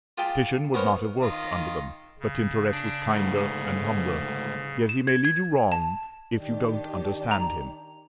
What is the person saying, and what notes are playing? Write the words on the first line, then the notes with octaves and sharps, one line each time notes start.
Titian would not have worked under them, but Tintoret was kinder and humbler; yet he may lead you wrong if you don't understand him.
F4 G4 G#4 G5 A5
B3 C#4 A#4 C5 C#5
D#3 F4 D#5
C#3
D4
D2 G#2
E7
G#6
G#6
A5
D#3 D4 G4
A#5